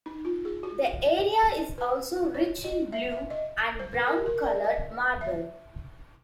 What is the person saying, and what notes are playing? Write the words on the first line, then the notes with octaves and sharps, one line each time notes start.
The area is also rich in blue and brown colored marble.
D#4
F4
G#4
F#4
B4
C#5
D#5
E5
E5
D#5
C5
B4
A#4
A#4
D5
D#5
E5